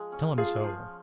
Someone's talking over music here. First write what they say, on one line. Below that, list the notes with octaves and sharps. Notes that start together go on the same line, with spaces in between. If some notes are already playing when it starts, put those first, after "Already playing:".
Tell him so.
Already playing: F3 G#3
C#4
F3 F4 G#4
F3